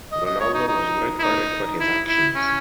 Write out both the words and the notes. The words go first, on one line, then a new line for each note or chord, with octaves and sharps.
Ronaldo was red-carded for his actions.
D#5
D#5
C#5
D#4
D#4
E4
D#4
E4
E4
C#4